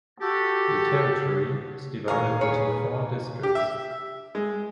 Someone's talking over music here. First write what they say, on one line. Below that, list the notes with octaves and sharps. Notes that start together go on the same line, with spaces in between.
The territory is divided into four districts.
F#4 G4 A4
D#2 A#2 A#4 F5 G#5 C#6
G#4 B4 C#5
G4
E5
G#3